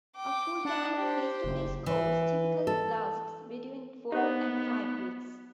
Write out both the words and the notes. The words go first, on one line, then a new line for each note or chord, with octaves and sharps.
A full-time, face-to-face course typically lasts between four and five weeks.
G5 D6
D4 F#5 A5
G4 C5
F#1
E3
A4
B3 D#4 G4 C5 F#5